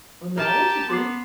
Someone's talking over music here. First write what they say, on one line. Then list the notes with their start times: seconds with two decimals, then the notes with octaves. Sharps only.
Oh, now that you think,
0.37 G4 A#4 A5 A#5
0.89 B3 C6 D6 C7